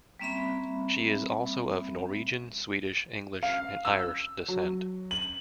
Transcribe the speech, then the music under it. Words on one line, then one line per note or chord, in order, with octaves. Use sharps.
She is also of Norwegian, Swedish, English and Irish descent.
G3 A#3 C4 C#4 E5 B5
F5
E6
F#3
F#7